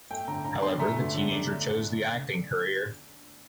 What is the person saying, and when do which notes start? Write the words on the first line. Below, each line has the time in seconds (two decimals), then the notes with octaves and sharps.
However, the teenager chose the acting career.
0.10 A3 G5
0.28 D3 A#5
0.44 D3 A#5
0.62 D4 C6
0.79 A3 A#5
0.97 D3
1.14 D3
1.31 D4
1.49 A3
1.66 D3
1.84 D3